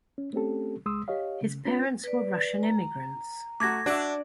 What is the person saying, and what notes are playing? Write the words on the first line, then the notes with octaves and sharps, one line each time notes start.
His parents were Russian immigrants.
C#4
A3 C4 C#4 G4 A4
C#2 G#3 C6 D#6 E6
G4 C#5 D#5 F5
C#3
C#4 F4 B4
B4 D5
A#5
A3 F#4 D6 G#6 A#6
D4 F#4 E5